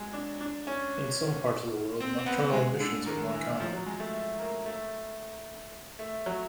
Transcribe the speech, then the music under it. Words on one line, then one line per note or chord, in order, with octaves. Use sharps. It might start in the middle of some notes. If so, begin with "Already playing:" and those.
In some parts of the world nocturnal emissions are more common.
Already playing: F#3 G#3
D4
D4
C#4
C4
C4
B3
G#3
D3
D#3
E3
F3
F#3
G#3
A3
A3
A#3
A3
A3
F#3